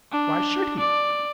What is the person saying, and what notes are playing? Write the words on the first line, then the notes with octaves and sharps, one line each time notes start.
Why should he?
D4
D5